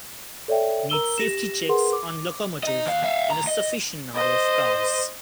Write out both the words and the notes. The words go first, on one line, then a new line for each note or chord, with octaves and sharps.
Need safety checks on locomotive and a sufficient number of cars.
A4 C#5 D5 E5 G5
A#4 A#5 E6 G7
G4 A#6 E7
G#4 A#4 B4 F#5 C6
D6
D#4 D#5
D#2 F5
E5 F5
D2 A#5
D#5
C5 D#5